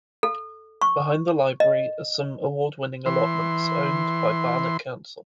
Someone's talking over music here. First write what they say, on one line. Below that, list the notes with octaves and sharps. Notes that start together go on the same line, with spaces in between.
Behind the library are some award-winning allotments, owned by Barnet Council.
A4
C#6
D#5
E3 C6